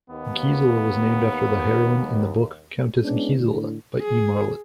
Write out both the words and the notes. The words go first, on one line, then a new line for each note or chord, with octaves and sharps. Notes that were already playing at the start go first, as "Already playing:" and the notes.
Gisela was named after the heroine in the book "Countess Gisela" by E. Marlitt.
D#2 B3
G#3 B3 C#4 D4 E4
A2 D3
G#4